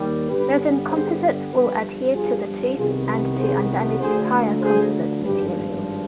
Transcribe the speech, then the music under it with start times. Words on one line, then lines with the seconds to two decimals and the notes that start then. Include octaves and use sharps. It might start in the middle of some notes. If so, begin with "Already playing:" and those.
Resin composites will adhere to the tooth and to undamaged prior composite material.
Already playing: D#2 D#3 G3
0.28 G2 D3 G3 B3 G4 B4
0.91 G#4 C5
1.52 G1 G2 F3 G4 B4
2.14 F4 G#4
2.76 C2 C3 D#3 B3 F4 G#4
3.07 G4 B4
3.38 G#4 C5
4.00 D2 D3 F3 G#4 C5
4.62 G#4 C5
5.24 G#1 G2 F3 G4 B4